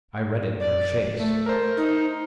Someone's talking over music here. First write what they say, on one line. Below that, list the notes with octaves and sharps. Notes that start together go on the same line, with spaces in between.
I read it in her face.
D5
A3
A#4 C5
D#4